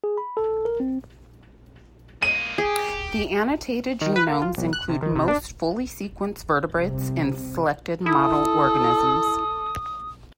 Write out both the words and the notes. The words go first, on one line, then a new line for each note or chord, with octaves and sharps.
The annotated genomes include most fully sequenced vertebrates and selected model organisms.
G#4
B5
A4
A#4
C4
G#3 A#3 D#7
G4 G#4
D#3
B4
A#3
F4
B1
F#6
C3
D#3
C3
D4
C2 C3
E4 A4 D#6